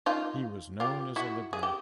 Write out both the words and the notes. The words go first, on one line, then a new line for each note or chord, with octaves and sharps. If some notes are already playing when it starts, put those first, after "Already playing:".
He was known as a liberal.
D#4 F4
F4 G4
E4 F#4
G#4
G4